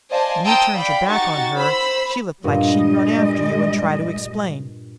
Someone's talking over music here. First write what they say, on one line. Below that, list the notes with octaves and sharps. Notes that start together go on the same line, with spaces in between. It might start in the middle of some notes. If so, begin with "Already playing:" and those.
When you turned your back on her she looked like she'd run after you and try to explain.
C5 D5 D#5 F5 G#5 A5
G5 A5 A#5 C6 D#6 E6
D5 F5 G5 B5
D#4 F#4 G4 C#6 A6
C5 B5 E6
G2 A#2 G3 G#3 D#5